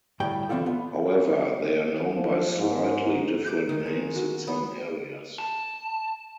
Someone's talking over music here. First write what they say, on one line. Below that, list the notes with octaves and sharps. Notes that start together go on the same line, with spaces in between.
However, they are known by slightly different names in some areas.
D2 A2 G3 G5
D3 E3 C4 C#4 F4 A4
B3
F3
G#2
D6
D#3
G#3
F#4
B3
A5